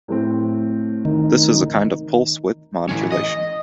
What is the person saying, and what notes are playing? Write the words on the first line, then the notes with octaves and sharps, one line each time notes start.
This is a kind of pulse-width modulation.
A2 A3 C4
D#3
E3 C#4
D#5